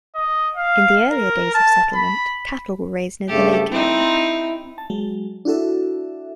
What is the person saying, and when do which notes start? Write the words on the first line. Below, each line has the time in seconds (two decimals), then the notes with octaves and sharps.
In the earlier days of settlement, cattle were raised near the lake area.
0.15 D#5
0.56 F5
1.12 A#4
1.54 A5
1.94 B5
3.28 G2 C#3 A3 G4 A4
3.71 C4 D#4 E4
4.78 A5
4.90 F#3 G#3
5.45 D4 E4 F#4 A4 E5